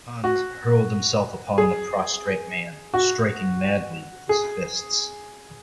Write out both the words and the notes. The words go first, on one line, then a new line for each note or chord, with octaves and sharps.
Hans hurled himself upon the prostrate man, striking madly with his fists.
F#4
G#4
F#4
G#4